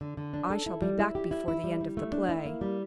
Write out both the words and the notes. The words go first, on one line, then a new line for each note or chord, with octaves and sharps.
I shall be back before the end of the play.
D3
D3
D4
A4
E4
G3
E4
G4
E4
E4
G3
G3
A3
D4
E4
A#3
G3